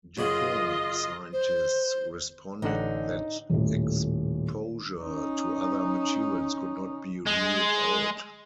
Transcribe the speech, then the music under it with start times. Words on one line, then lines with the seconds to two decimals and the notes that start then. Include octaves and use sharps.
DuPont scientists responded that exposure to other materials could not be ruled out.
0.18 F#2 C#3 F4 F#4 D#5
1.33 C5
2.62 A1 D3 D4 D#4 C#5 F#5
3.49 D#1 A2
5.01 C#4 D#4
7.26 G#3